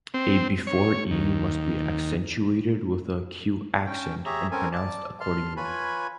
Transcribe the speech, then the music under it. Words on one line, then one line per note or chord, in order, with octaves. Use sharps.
A before e must be accentuated with the acute accent, and pronounced accordingly.
C4
C#5
D#2
C#4 G5
G4 G#4 C#5 E5 A#5
C4 C#4 A4 A#4 G#5
D5 A5
A5 C6 F6
F4 B4 C#5 G#5 B5